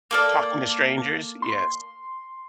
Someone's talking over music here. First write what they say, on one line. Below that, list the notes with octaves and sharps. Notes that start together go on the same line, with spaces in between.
Talking to strangers? Yes.
A#3 A4 D5
C6